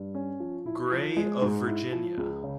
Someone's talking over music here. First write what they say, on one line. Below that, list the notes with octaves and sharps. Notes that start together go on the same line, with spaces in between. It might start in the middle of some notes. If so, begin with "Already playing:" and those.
Gray of Virginia.
Already playing: G2
C#4
F3
E4
F3
G#3
G#2
E4
F3
C#2
C#3